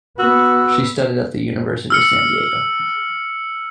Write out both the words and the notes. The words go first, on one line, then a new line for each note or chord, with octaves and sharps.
She studied at the University of San Diego.
B3 F#4 E6
E6 F6 C#7